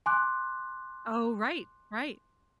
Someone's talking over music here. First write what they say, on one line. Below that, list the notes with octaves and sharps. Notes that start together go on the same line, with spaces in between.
Oh, right. Right.
G#5 C6 D6 F#6